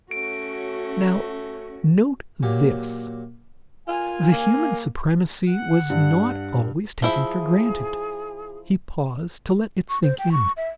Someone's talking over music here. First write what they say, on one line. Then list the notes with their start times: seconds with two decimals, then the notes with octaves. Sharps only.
"Now, note this: the human supremacy was not always taken for granted." He paused to let it sink in.
0.11 A3 C#4 F#4 D7
2.43 A#2 F#3 G4 C#5
3.88 F4 A#4 F5 G#5
4.32 A#3
5.49 F#5
5.90 G2
7.02 F3 E4 G#4 E5
9.89 C#6
10.03 C5
10.19 G5
10.32 C#6
10.57 E5